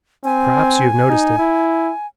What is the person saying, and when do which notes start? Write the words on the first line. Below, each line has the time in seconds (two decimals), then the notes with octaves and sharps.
Perhaps you have noticed it.
0.24 C4 G#5
1.10 D#4
1.39 E4